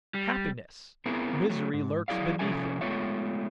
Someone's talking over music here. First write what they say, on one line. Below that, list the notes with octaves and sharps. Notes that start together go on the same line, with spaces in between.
Happiness!--misery lurks beneath it!
G3
B3 C4 E4 G#4 A#4
F#3 A3
G#2
F#3 E4 G#4 D5 F5
C3 F3 C#4 A4 E5 G#5
G#3 A3 B3 F4 C#5 E5